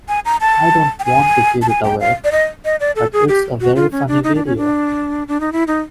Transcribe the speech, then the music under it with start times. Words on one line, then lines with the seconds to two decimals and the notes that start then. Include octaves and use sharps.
I don't want to give it away, but it's a very funny video.
0.09 G#5
0.25 A#5
0.41 A5
1.00 G5
1.05 G#5
1.62 A5
1.69 G#5
1.84 G5
2.01 F5
2.24 D5
2.32 D#5
2.65 D#5
2.80 D5
2.96 A4
3.13 G#4
3.28 G4
3.61 F#4
3.76 F4
3.92 C#4
4.08 D4
4.24 D#4
4.35 D4
4.46 C#4
4.57 D4
5.28 D4
5.40 D#4
5.52 E4
5.67 D#4